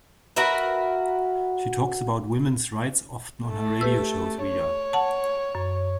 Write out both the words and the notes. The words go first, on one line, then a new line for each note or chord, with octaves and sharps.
She talks about women's rights often on her radio shows, Vida!
F#4 A#4 B4 E5
A3
G4 B4 E6
C#5
F#5 A5
F#2